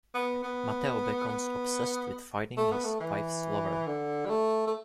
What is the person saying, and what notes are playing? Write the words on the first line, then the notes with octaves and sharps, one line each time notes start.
Mateo becomes obsessed with finding his wife's lover.
B3
B3
B3
A3
B3
A3
E3
D3
G3
A3
A3